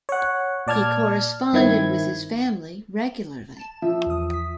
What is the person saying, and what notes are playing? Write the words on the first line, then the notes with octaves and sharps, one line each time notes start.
He corresponded with his family regularly.
C#5 F#5
A#2 D5 A5 F6 G#6
G2 D#3 C4 E4 G#6
A5 E7
F3 E5
E2 D#6
B6